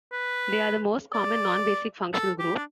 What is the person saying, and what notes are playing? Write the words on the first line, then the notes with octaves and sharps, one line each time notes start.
They are the most common non-basic functional group.
B4
D5
A4
G4
D4